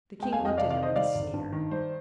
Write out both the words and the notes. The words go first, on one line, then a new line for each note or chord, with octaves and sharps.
The King looked at him with a sneer.
G#3 G5
F5 G#5
F2
D#5 G5
C3 D5 F5
D5 F5
D#3
C5 D#5
G3 D5 F5
G#1
G2
D#3
G3 C5